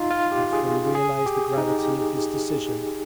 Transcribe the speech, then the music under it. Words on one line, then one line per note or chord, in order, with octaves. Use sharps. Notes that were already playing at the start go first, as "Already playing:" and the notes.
I fully realise the gravity of this decision.
Already playing: D#4 F4
F4
G4
G#4
G#4
G4
D#4
G4